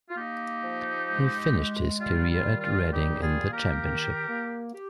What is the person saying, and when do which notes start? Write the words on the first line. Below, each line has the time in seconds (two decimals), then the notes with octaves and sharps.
He finished his career at Reading in the Championship.
0.10 F4
0.17 A#3 D#4 G4
0.63 F3
1.09 G#3
1.55 G#3
2.00 G3 F4
2.31 F4
2.45 D#3
2.61 F4
2.91 G3 D#4 G4
3.22 F4 G#4
3.38 A#3
3.53 G4 A#4
3.83 D#3
4.29 A#3
4.74 G4